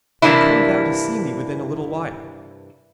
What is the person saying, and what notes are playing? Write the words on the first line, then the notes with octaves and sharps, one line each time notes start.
And come thou to see me within a little while.'
G2 C3 E3 A#3 D4 E4